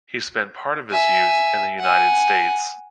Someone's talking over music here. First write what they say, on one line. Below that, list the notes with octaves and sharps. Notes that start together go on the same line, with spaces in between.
He spent part of his youth in the United States.
E5 G#5
F#5 G#5